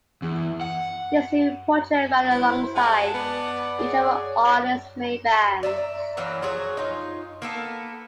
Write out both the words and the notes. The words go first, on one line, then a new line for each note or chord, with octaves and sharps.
This new project ran alongside each of the artists' main bands.
E2
F#5
E4 C5
G#3 F#5 A5
B3 D5
G#4 C#5
D5 E5 A#5
E3 F#3 A#3 C#4
F3 F#3 G#4 C#5
D#4 F4
A#3 B3 A4